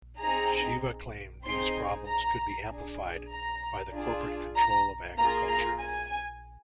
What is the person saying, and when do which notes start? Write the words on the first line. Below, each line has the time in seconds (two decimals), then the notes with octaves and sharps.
Shiva claimed these problems could be amplified by the corporate control of agriculture.
0.19 C4 D#4 G#4 A#5
1.44 C4 D#4 G#4 C6
2.06 A#5
2.68 D4 G#4
3.30 A#5
3.93 D4 F4 G#4
4.55 A#5
5.17 A#3 F4 G#4 A#5
5.48 A#5
5.80 G#5